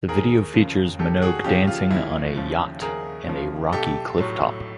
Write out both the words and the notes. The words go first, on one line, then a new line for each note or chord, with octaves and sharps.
The video features Minogue dancing on a yacht and a rocky cliff top.
D#2 G#4 A#4
C#3 F3
D#2 G4 A4
F#4 G#4
C#3 F3 F4 G4
F4
D#2 E4
C#3 F3
D#2 G#4 A#4
C#3 F3
B1 G4 A4
A2 F#3